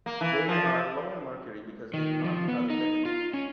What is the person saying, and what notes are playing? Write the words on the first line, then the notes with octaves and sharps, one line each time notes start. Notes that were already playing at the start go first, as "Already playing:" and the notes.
They are low in mercury because they do not eat other fish.
A#3
E3
F3
D#3
F3
B3
D#4
F4
C#4